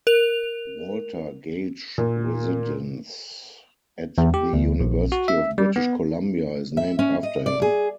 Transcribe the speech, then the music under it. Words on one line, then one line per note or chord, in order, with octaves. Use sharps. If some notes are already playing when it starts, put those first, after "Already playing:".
Walter Gage Residence at the University of British Columbia is named after him.
A#4 F7
A#2
E2
G4
D2
A#1
F#4
E5
G3
B3
E5
C#4
D#5
D5
G#4